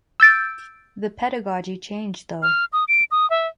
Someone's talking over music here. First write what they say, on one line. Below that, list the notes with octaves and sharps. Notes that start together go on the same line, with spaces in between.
The pedagogy changed though.
E6 G6 A6 D7
F6
D#6
D7
D#6
E5